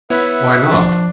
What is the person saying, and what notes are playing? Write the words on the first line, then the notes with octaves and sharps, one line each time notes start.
Why not?
B3 E4 B4 C#5 E5 F#5
F3 D4